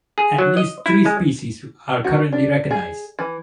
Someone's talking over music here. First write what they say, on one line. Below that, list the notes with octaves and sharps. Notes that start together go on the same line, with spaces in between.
At least three species are currently recognized.
G#4
F#3
D#5
E4
G#3
F#4
D4
G#4
E3